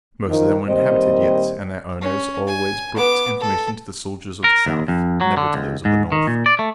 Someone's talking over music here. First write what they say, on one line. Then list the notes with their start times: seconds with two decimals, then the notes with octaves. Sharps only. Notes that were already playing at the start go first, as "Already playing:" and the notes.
Most of them were inhabited yet, and their owners always brought information to the soldiers of the South, never to those of the North.
0.28 D#3 F3
0.67 A#2 D#3 G3 C4 C5 D#5
2.01 C#4
2.47 G#5
2.96 B3 D6
3.40 A4
4.44 A#4
4.66 D#2
4.88 F2
5.21 F#3
5.37 D3
5.54 C#2
5.85 G#2
6.12 D#3
6.27 A#2
6.46 D5
6.59 A3